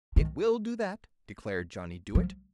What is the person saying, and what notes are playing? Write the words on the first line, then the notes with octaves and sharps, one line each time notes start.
"It will do that," declared Johnny Dooit.
D#3
F3